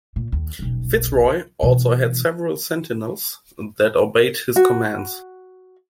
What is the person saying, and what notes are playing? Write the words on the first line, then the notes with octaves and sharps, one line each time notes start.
Fitzroy also had several Sentinels that obeyed his commands.
A#2
D#2
D#1 B1
B2 E3
F#4